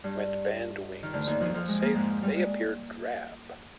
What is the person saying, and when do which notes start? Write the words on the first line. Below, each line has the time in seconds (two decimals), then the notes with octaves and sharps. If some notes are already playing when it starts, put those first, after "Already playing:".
When bandwings feel safe, they appear drab.
0.04 G2
1.03 D#3
1.13 D2 D3
1.27 D#2 D#3
1.40 F2 F3
1.54 F2 F3
1.68 G#3
1.82 A#3
1.95 G#2 G#3
2.22 G3
2.35 G#3